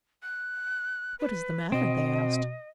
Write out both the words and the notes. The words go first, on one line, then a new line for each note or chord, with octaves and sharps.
"What is the matter?" they asked.
F#6
B4
B2 C4 D#5